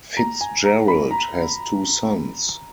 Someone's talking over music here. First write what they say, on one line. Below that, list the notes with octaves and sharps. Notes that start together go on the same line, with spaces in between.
Fitzgerald has two sons.
A#5
G#5
A#5
B5
A#5